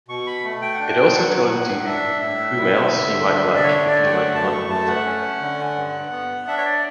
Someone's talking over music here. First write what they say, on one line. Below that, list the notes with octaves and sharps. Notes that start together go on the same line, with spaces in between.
It also tells you whom else you might like if you like one author.
B2 C#6
B5
A3
G5
F#5
D4 G5
F#3 F#5
A2 F#5
D4 E5
A2 E5
G3
D3
D4
D5
D3 C#5
D5
A3
G5
F#5
F#2 A5
C#6
A3 A5
F#5
C#4
D3
G2
B3
D4 E5
C#5
D5